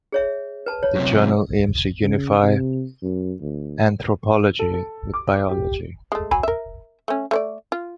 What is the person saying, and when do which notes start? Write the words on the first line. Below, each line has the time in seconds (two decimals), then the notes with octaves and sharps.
The journal aims to unify anthropology with biology.
0.12 G#4 C#5 E5
0.66 B4 A5
0.83 C#5
0.95 F#2 C3
2.00 C#3
2.43 C3
3.02 F#2
3.41 D2
4.59 A4
4.74 A4
5.14 D6
5.49 G4
6.12 G#3 A3
6.31 F#3 G#5 B5
6.43 A#4 E5
7.08 A3 C#4
7.31 A3 C#5 D5
7.72 F4